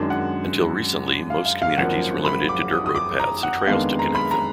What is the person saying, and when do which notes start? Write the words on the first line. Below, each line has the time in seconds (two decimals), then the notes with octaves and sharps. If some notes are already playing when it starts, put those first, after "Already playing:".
Until recently most communities were limited to dirt-road paths and trails to connect them.
Already playing: F#2 D#3 G#3 D4
0.10 F#5
1.30 F5
1.45 F5
1.62 F5
1.77 G#1 F#2 F3 A#3 F#5
2.25 B5
2.49 D6
2.72 D#6
2.86 D#6
2.95 D6
3.19 A#5
3.43 F#5
3.67 F2 D#3 G#3 B3 D4 F5
3.99 A#5
4.15 B5
4.31 A#5